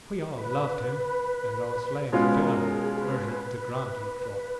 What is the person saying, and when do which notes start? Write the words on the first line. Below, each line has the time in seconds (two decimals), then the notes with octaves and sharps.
We all loved him, and our slaves fairly worshipped the ground he trod.
0.37 B4
2.12 B2 G#3 C#4 F4 B4
2.41 A#4
2.71 G#4
3.01 B4